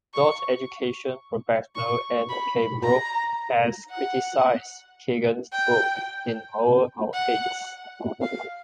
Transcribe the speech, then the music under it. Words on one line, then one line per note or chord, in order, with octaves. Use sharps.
Adult education professor Ann K. Brooks has criticized Kegan's book "In Over Our Heads".
C#6
C#6
B5
A#5
F#5
G5
F#5
F5